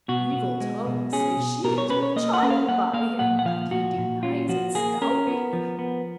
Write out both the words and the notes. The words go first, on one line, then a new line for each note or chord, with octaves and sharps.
Evil tongues say she is with child by him, but he denies it stoutly.
B2 F#4
B2
G#3
B2
C#4 G#4
B2
B2 A#4
C#5
C#4 B4
C#5
A#3 D#5
F#5
C#4
F5
A#3 F#5
A#3 F5
A#2 F#5
F#5
F3 F5
A#2 F#4
A#2
C#4 F4
F3 F#4
A#3 G#4
C#4 A#4
B3
F3
B3